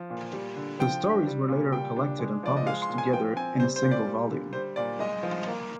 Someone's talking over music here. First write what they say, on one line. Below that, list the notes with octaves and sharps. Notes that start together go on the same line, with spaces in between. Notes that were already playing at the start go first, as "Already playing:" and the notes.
The stories were later collected and published together in a single volume.
Already playing: F3
A#2
G3
D3
F3 G5
D4
G3
A#2
G3 G5
D4
G#3
F3 D5
D#5
G#3 F5
C6
A#2
G#5
F3 G5
C4 G#5
G3 C5
C5
A#2
D5
G3
D3
G3 C5
A#2 D5
G#3 D#5
F3
A#3